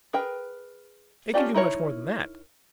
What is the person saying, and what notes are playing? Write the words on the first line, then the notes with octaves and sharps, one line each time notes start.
It can do much more than that.
G#4 A#4 B4 G5
C#4 D4 F4 G4 D5
D#4 E4 A#4 C#5